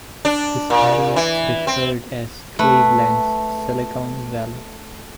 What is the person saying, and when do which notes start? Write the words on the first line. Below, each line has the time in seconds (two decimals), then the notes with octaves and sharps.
This area is referred as Cleveland's Silicon Valley.
0.25 D4
0.70 A#2
1.16 E3
1.67 C4
2.59 A3 B4